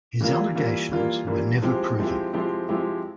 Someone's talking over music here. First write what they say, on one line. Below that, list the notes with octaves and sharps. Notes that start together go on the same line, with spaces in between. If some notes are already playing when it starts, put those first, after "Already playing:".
His allegations were never proven.
E3 G3 A#3 F4
E3 G3 A#3 F4
E3 G3 A#3 F4
E3 G3 A#3 F4
F3 G#3 C4 E4 G4
F3 G#3 C4 E4 G4
F3 G#3 C4 E4 G4
F3 G#3 C4 E4 G4